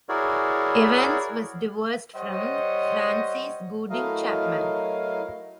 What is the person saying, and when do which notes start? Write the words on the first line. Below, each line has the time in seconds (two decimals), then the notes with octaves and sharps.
Evans was divorced from Frances Gooding Chapman.
0.09 E4 F#4 G#4 A#4 C#5 D5
2.15 G3 C5 C#5 D#5 F#5
3.90 F#3 A3 E4 A#4 D#5 F5